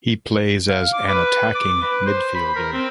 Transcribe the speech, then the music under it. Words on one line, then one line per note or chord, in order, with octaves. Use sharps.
He plays as an attacking midfielder.
F5
D6
B4
D6
B4
C5
B5
A#4
C4